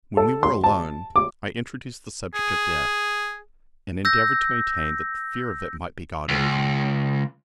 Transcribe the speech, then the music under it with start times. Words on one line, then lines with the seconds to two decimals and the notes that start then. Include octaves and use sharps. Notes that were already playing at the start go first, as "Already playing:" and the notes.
When we were alone, I introduced the subject of death, and endeavoured to maintain that the fear of it might be got over.
0.17 A4
0.43 C6
0.64 A5
1.16 D6
2.34 G#4
4.05 E6 G6 A#6
6.29 C#2